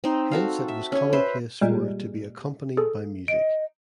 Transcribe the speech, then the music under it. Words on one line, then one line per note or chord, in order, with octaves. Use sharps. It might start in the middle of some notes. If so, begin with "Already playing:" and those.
Hence it was commonplace for it to be accompanied by music.
C4 D#4
F#4 A4 F5
E5
C#4 C#5
B4 C5 E5
A#2 G3 G#3
G#4 A4
D#5 D7